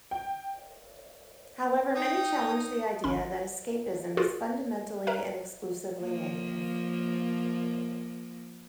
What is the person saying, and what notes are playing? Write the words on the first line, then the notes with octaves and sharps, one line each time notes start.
However, many challenge the idea that escapism is fundamentally and exclusively negative.
G5
D#4 G5 D#6
G#1 C#4 B5
F4 F#4 G#4 A#4
A#4 B4 E5 A#5
F3 A#3